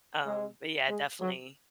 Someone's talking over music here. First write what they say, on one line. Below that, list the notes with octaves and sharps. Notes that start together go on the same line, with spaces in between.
Um, but, yeah, definitely
G#3
G#3
F#3